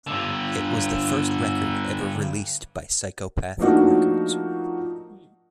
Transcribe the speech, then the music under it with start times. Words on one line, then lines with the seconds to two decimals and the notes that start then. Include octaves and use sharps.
It was the first record ever released by Psychopathic Records.
0.07 G2 D3
3.59 F3 A3 A#3 D4 D#4 F#4